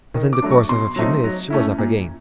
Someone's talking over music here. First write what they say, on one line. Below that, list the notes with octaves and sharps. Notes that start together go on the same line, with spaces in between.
But in the course of a few minutes she was up again.
D#3
D6
F#3 A3 D4
C#6
B2 C6
F#3 A3 C4 D#4
F#3
A3 C#4 E4
A#2